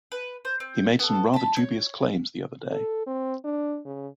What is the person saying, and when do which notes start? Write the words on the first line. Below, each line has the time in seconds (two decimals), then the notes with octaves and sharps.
He made some rather dubious claims the other day.
0.12 B4
0.45 C5
0.60 C4
0.99 B3 A4
1.34 A5 B5
1.56 C#5
2.72 A4
3.07 C4
3.44 D4
3.85 C#3